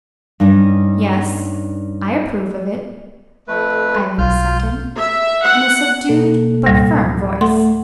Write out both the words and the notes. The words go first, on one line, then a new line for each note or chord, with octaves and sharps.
"Yes, I approve of it," Ivan assented, in a subdued but firm voice.
G2 C#4 D#4
F2 A3 B4
B1 F4 F6 G6
E5
F#5
B2 A#3 A4
D2 A2 G3
A3 A4 F#5 C6